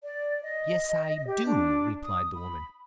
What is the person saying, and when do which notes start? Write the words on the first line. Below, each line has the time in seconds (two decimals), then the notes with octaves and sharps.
"Yes I do," replied the woman.
0.04 D5
0.43 D#5
1.26 G4
1.46 D4
2.03 D#6
2.34 B5